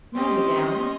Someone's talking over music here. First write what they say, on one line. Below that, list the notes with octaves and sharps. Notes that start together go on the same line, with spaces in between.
"No, Madame."
G3 C4 C#4 G4 D#5 C6